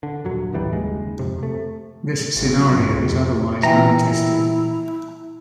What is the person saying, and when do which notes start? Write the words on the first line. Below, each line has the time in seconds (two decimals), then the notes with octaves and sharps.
This scenario is otherwise unattested.
0.03 D3
0.25 D#1 F#2 F#3
0.53 D1 A1 E3 G3
0.73 F#1 D#2 G#3
1.19 F2 C3
1.38 C3 A3
2.36 G#1
2.60 F#3
2.76 G2
2.91 C#2
3.03 F2
3.63 A#2 E3 E4 E5 G5 G#5 A#5